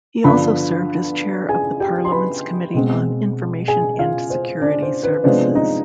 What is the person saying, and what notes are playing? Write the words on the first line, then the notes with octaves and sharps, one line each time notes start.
He also served as chair of the parliament's committee on Information and Security Services.
G2 D3 F3 B3 B4 B5
G#4 G#5
G4 G5
C6
B4 B5
B2 G#3 C4
G#4 G#5
F4 F5
C5
D4 D5
C5
B4
C3 F3 G#3 B3 D4 C5
D#4 D#5